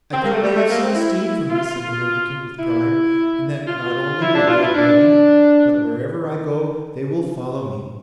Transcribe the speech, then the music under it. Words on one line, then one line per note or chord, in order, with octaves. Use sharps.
"I think they have some esteem for me," said the mendicant with pride, "and that not only will they obey me, but wherever I go they will follow me."
C4
A#3
A3
G3
A3
A#3
C4
E4
F4
E4
F4
E4
D4
F4
E4
D4